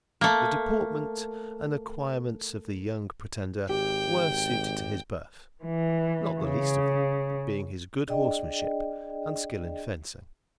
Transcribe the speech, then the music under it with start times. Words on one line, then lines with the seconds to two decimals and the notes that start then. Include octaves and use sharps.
The deportment and acquirements of the young pretender were suited to his birth, not the least of them being his good horsemanship and skill in fencing.
0.21 A3 A#3
3.69 G#1 G4 G5
5.64 E3
6.40 C#3
8.07 D4 G#4 D5 D#5 G5